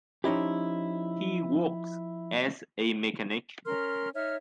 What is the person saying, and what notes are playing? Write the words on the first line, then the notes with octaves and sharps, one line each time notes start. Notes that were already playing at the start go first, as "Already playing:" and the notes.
He works as a mechanic.
F3 C#4 D#4 E4 G4
C#4 A#4 C6 F6
D#4 C#5 E5 F6